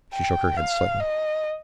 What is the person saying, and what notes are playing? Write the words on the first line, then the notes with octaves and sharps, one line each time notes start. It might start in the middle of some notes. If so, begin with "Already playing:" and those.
She shook her head slightly.
G5
F5
D#5